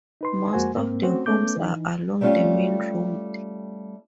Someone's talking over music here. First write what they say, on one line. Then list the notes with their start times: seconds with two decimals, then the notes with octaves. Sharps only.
Most of the homes are along the main road.
0.21 D#4 B4 C6
0.53 F2 G#3 A#3 F#4 C5 G#5
0.77 G#2 A#3 C4
1.03 A3 C4 C#4 F#4 C5
1.26 A3 B3 C#4 D6 G6
1.57 E3 D#4
2.21 G3 A3 B3 C#4 F4 G4